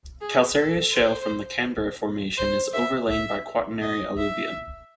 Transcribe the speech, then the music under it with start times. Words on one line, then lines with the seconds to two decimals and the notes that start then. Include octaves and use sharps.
Calcareous shale from the Canberra Formation is overlain by Quaternary alluvium.
0.21 G#4
0.56 A4
0.93 C5
2.38 C5
2.73 E5
3.09 E5
3.82 D#5
4.18 E5